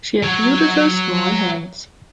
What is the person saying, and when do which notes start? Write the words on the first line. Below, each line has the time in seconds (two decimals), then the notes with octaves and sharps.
She had beautiful small hands.
0.23 F#3 C#5